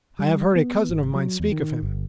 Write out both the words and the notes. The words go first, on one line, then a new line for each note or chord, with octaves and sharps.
"I have heard a cousin of mine speak of him."
G3
B3
G#1
F#3
E2
D#3
G1